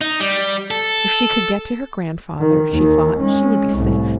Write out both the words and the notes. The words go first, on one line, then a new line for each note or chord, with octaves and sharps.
If she could get to her grandfather, she thought, she would be safe.
D#4
G3
A4
D#3
D#2 D#3
G#3 C#4
C2 A2